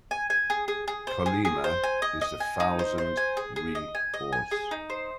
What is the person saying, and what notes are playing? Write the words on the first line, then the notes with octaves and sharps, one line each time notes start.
"Chollima" is the thousand-"ri" horse.
G#5
G#5
G#4
G#4
G#4
C5
G#4
G#4
C5
G#5
D#5
D#5
G#5
D#4
C5
C5
G#5
G#4
G#4
D#5
G#5
D#5
G#5
G#4
D#4
C5